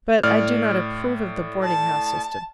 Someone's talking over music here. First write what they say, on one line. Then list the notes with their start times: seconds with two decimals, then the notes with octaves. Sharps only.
But I do not approve of the boarding-house system.
0.23 A2 D5 F6
1.64 A5